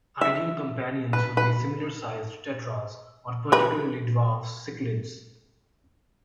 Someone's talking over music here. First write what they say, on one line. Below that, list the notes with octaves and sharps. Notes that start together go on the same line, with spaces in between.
Ideal companions would be similar sized tetras or particularly, dwarf cichlids.
E5
B4
B4
A#4 B4